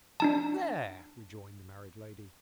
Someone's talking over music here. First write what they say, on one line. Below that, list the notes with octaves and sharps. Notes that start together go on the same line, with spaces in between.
'There!' rejoined the married lady.
D4 D#4 A5